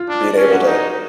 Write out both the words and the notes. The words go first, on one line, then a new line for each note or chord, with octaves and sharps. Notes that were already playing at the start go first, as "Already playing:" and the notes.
being able to
Already playing: F4
D4
C#4
F#4
D#4